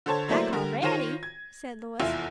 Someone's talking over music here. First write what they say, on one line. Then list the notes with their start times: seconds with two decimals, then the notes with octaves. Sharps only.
"Back already!" said Louis.
0.06 D3 A4 C5 C#5 A5 G#6
0.28 F#3 A3 A#3 E4 C5 D5
0.53 D3 G3 A#4
0.82 D#3 F4 C5 C#5 A#6 D#7
1.23 G#6
2.00 F1 E2 E4 F4 E5